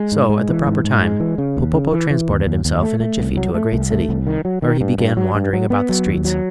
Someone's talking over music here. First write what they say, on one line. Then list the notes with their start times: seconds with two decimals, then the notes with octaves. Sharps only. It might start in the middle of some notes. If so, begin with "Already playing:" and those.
So at the proper time Popopo transported himself in a jiffy to a great city, where he began wandering about the streets.
Already playing: G#3
0.12 G#2
0.30 G#3
0.48 E3
0.67 G#2
0.84 G#2
1.02 G#3
1.20 E3
1.38 C#3
1.57 D#2
1.74 C#3
1.92 E3
2.10 E3
2.29 D#2
2.46 D#2
2.65 D#2
2.83 A3
3.00 A3
3.18 C2
3.37 F#3
3.54 A3
3.73 C2
3.91 A3
4.09 C2
4.27 D#3
4.45 F#3
4.62 D#3
4.81 G2
4.98 G2
5.17 F#3
5.35 G2
5.53 F#3
5.70 B3
5.89 F#3
6.06 D#2
6.25 F#3